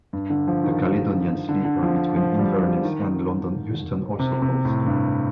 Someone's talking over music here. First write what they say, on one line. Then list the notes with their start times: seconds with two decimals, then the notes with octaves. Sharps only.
The Caledonian Sleeper between Inverness and London Euston also calls.
0.13 G2
0.30 D3
0.48 F3
0.64 D#3
1.49 D3
1.65 D3
1.83 F3
2.16 F3
2.39 G3
2.62 F3
2.84 D#3
4.19 C3
4.42 C3
4.65 A2
4.87 G2